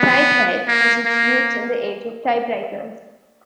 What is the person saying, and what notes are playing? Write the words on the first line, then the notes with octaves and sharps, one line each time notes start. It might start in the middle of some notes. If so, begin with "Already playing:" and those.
Typeahead has its roots in the age of typewriters.
Already playing: B3
A#3
A#3